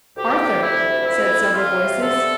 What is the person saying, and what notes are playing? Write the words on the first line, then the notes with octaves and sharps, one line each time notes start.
"Arthur," said several voices.
D2 G4
C3
E4
D2
F2 E4
F2
F4
C3
D3 A4